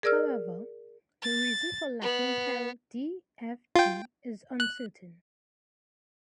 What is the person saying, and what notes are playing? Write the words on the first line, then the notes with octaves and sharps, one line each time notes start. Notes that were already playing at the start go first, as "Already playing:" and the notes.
However, the reason for lacking Hell D, F, G is uncertain.
G#4 A#4 D5 E6 F6
A6
B3
F4 G5
F#6